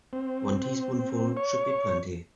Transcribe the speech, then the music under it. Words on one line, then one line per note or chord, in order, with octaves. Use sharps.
One teaspoonful should be plenty.
C4
C#5